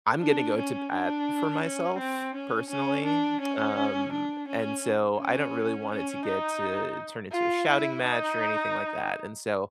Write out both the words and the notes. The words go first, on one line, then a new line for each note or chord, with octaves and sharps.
I'm gonna go to bat for myself personally, um, and so I don't really want it to get to turn into a shouting match, or anything like that, and, so,
D4
C#4
D4
C#4
C4
C#4
C#4
D4
C#4
D4
C#4
C#4
C#4
D#4
F4
E4
D#4